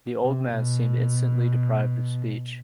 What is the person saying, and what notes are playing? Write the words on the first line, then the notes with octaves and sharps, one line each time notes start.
The old man seemed instantly deprived of speech.
C3
B2